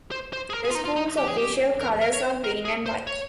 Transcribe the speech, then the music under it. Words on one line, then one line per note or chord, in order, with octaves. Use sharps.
The school's official colors are green and white.
C5
C5
G#4
A#4
G#4
F4
D#4
F4
D#4
G4
G#4
G4
A#4
A#4
C#5
C5
A#4
G#4
C5
C#5